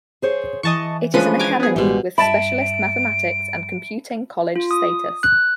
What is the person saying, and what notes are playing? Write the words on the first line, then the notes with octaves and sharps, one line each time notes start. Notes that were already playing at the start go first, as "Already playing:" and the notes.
It is an Academy with specialist Mathematics and Computing College status.
G#4 C5 C#5
E3 D#5 A5 C#6
F3 G#3 C#4 D4 B4 D#7
G#5 A#5 D6
B3 G#4
A1 B2 G3 G#3 C5
G2 E5 A5 B5 D7
F4
D#6
F#6